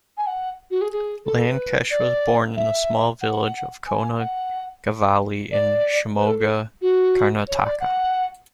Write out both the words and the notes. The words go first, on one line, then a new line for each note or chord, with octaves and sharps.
Lankesh was born in the small village of Konagavalli in Shimoga, Karnataka.
G#5
F#5
F#4
G#4
G#4
A4
A4
B4
D5
E5
F#5
G#5
F#5
D5
B4
A4
A4
F#4
C#5
D5
F#5